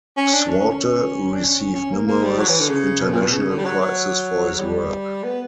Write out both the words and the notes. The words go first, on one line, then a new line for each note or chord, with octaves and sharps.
Swarte received numerous international prizes for his work.
C#4
D4
C#4
C#4
C#4
D4
C#4
C#4
C#4
A#3
A#3
G3
F#3
E3
D3
C#3
B2
A#2
B2
C#3
D3
G3
F#3
F#3
G3
B3